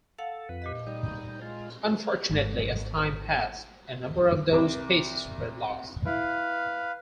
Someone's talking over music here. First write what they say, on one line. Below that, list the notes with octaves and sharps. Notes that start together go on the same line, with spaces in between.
Unfortunately, as time passed, a number of those pieces were lost.
A4 F5 F#5
F2 B4
A#2 G4 D#5
G3 D#4
G#3 F4
G#1 G#2
C2 D6
E4 B4 F5